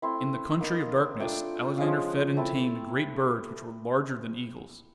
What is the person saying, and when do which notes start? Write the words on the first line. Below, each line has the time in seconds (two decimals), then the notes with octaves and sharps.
"In the Country of Darkness" Alexander fed and tamed great birds which were larger than eagles.
0.02 A3 C4 E4 C6
0.61 A#3 D#4 G5
1.20 A3 D4 F4 G5
1.78 F3 G#3 C#4 F5
2.37 A3 C4 E4 A5